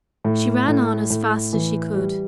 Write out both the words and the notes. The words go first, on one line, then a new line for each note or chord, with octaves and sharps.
She ran on as fast as she could.
A2
A2
A2
E3
G3